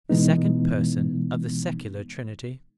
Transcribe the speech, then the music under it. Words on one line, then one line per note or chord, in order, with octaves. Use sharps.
The Second Person of the secular Trinity.
B2 E3 G#3 B3 D#4